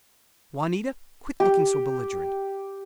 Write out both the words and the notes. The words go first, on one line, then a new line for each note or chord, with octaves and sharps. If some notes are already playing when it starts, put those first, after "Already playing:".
Juanita, quit looking so belligerent.
G4